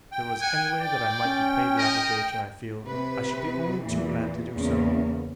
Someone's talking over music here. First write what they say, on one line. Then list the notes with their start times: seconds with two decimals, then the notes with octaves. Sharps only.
If there was any way that I might repay the obligation I feel, I should be only too glad to do so.
0.12 G5
0.41 F#5 G#5
0.81 D5
1.26 C#4
1.78 A#4 D#5
2.86 C3 B4
3.82 E2 A#2 E3
4.57 E2 C#3 A#3 C#4